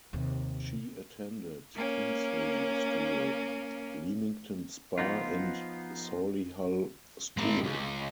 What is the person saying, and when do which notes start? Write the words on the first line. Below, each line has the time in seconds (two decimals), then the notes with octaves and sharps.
She attended Kingsley School, Leamington Spa and Solihull School.
0.13 D#2 C3
1.76 A#3 C#4
4.98 F3 B3 D#4 F4
7.37 G#3 A#4
7.64 C#2